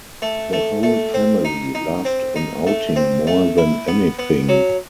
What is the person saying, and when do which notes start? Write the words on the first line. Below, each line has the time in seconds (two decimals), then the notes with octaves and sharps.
The whole family loved an outing more than anything.
0.22 A3
0.53 A3
0.83 A3
1.14 C4
1.45 D#4
1.75 D#4
2.05 C4
2.36 D#4
2.67 A3
2.96 C4
3.27 A3
3.58 E4
3.88 B3
4.19 B3
4.49 F#3